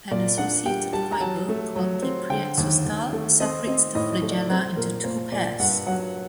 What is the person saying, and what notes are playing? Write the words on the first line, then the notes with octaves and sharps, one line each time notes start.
An associated fiber called the preaxostyle separates the flagella into two pairs.
A#2 D5
D4 F#5
G3 G5
G3 A5
A#5
F#3 A5
A3
F#3
C4
D3 G5
D#2
D#2
A3
C4 D#5
C4 D#5
A2 D#5
D#5
A3
D5
C4 C5
A#2 A#4
A#2 C5
A#2 D5
G2 F#5
F#3 F#5